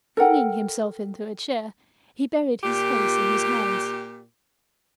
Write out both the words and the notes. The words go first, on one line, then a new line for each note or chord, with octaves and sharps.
Flinging himself into a chair, he buried his face in his hands.
A4 A#4 F#5 G5
A#2 G4